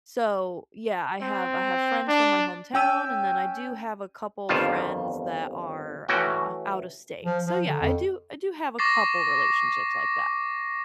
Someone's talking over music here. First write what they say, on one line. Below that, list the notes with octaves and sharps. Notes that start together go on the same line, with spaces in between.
so yeah, I have I have friends from my hometown and then I do have a couple friends that are, uh, out of state. So, yeah, I do I do have a couple relationships like that.
C4
D4
C#4 G5 E6 D#7
G1 F2 D#3 G3 F4 A5
E3 A3 C#4 F#4 G5
F3
F3
D3
F2
C#6 D6 A6 A#6 C7